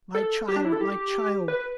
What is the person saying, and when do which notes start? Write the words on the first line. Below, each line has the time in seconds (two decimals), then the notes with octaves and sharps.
'My child, my child!
0.15 A4
0.48 G4
0.56 D4
0.65 E4
0.72 A4
0.81 G4
1.48 B4